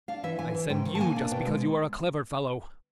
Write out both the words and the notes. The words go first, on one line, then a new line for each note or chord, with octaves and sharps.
I send you just because you are a clever fellow.
D4 F5
E3 E5
E3 G#5
E3
G#2 G5
D#3
A5
A#3 G#5
D4
B2 G5
G#3